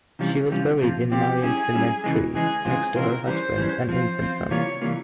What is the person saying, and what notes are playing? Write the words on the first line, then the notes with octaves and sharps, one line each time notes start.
She was buried in Marion Cemetery, next to her husband and infant son.
C3 E3 G3 C#4 F4
C3 E3 G3 C#4 F4
C3 F3 C4 F4
C3 F3 C4 F4 G4
G3 C#4 E4 G#4
G3 C#4 E4
C#3 E3 G#3
C#3 E3 G#3 G#4
C#3 E3 G#3 C4 F4 G#4
C#3 E3 G#3 C4 F4 A#4
E3 G3 C#4 C5
E3 G3 C#4
F3 C4 F4 C5
F3 C4 F4
C3 E3 G3 A#3 F4 C#5
C3 E3 G3 A#3 F4